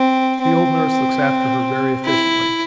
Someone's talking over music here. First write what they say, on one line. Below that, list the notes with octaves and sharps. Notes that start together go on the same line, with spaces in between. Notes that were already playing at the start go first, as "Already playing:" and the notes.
The old nurse looks after her very efficiently.
Already playing: C4
C4
E4